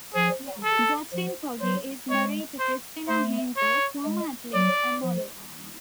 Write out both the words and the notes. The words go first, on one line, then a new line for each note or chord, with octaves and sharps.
Justin Pogge is married to Christina Heinzel, former athlete and model.
F3 G#4
A4
F3
F#3 C5
G#3 C#5
C5
A3 C5
C#5
G#3
F#3 D5
F3